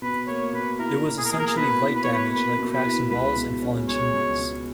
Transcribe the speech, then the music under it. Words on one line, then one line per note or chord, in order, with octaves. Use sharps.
It was essentially light damage like cracks in walls and fallen chimneys.
B2 B4
A#3 C#5
B2 B4
E4 A#4
B2
G#4
A#4
A#3 G#4
A#4
G#4
B2 B4
E4
B4
B2 C#5
B4
A#3 B4
B2
B4
E4
C#2 B4
B2
C#4
G#3 C#5
C#2
B2